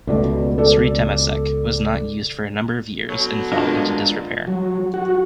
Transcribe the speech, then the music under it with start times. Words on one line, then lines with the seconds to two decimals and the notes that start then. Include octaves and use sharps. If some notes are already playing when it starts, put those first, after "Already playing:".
Sri Temasek was not used for a number of years and fell into disrepair.
0.07 C#2 B2 A3 D5
0.58 A4 D5
3.08 B2 D3 F#3
3.52 G#3 B3 D4 F4 A#4 D#5
4.47 F#3
4.94 F#4